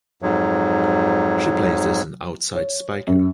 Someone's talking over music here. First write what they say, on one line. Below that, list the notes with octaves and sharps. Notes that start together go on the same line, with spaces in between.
She plays as an outside spiker.
F2 G#2 F#3
C#5
F#2